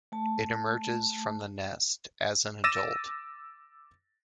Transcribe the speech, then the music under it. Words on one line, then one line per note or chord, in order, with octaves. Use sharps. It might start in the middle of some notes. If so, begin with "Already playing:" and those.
It emerges from the nest as an adult.
A3 A5
D6 E6 A6 A#6 D#7 E7